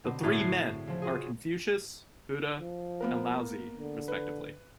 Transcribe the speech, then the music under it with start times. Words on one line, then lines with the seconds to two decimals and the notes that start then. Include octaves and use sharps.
The three men are Confucius, Buddha, and Laozi, respectively.
0.04 B2 D3 C4
0.23 A2 F#4 G#4 A5
0.39 F#6 C7
0.87 C#3 F3
1.02 F4 F#4 G#4
2.60 F3
3.01 A#3 B3 A#4
3.76 D3
4.08 B4